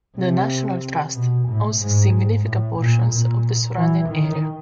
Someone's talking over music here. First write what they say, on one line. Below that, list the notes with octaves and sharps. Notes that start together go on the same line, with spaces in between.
The National Trust owns significant portions of the surrounding area.
C3
B2
A2
G#2
G#2
A2
A#2
A#2
E3
D#3